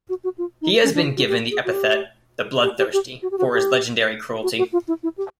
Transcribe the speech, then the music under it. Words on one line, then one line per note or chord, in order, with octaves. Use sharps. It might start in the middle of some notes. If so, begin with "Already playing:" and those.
He has been given the epithet "The bloodthirsty" for his legendary cruelty.
F#4
F#4
F4
D#4
C#4
D4
F#4
G4
G#4
F#4
G4
G4
G4
G4
F#4
G4
F#4
G4
F#4
F#4
F4
E4
E4
G4